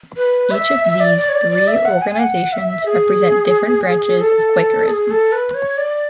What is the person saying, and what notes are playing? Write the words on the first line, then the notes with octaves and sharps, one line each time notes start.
Each of these three organizations represent different branches within Quakerism.
B4
E5
E5
D5
D5
C#5
D5
D5
E5
F#5
G#5
F#5
E5
G#4
A4
G#4
A4
B4
C#5
D5